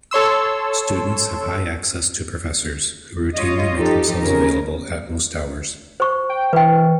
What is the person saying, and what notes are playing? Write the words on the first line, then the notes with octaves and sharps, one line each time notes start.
Students have high access to professors, who routinely make themselves available at most hours.
A4 C#5 C6 E6
F4 C#5 D#5
F3 D#4 G4 A4
F2 C#3 A#4
C5 C#6
G5
E3 B4 G5